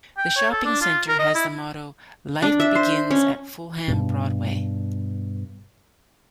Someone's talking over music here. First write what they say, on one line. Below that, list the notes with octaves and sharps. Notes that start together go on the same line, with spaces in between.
The shopping centre has the motto "Life Begins At Fulham Broadway".
G5
C#5
A4
D4
F4
A#4
D#5
E4
D4
E5
C5
C#4
G2 B2